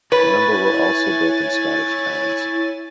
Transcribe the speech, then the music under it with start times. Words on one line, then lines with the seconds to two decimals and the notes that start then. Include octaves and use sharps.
A number were also built in Scottish towns.
0.12 E4 B4 C#5 G#5 A6